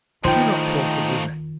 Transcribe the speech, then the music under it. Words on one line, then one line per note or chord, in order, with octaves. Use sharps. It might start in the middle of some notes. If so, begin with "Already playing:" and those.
Do not talk of revenge.
A2 D#3 F3 D#4 F4 C5 G5